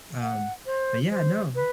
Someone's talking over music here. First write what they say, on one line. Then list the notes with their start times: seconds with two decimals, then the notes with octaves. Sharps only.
um, but, yeah, no.
0.20 F#5
0.66 C5
1.11 C5
1.55 B4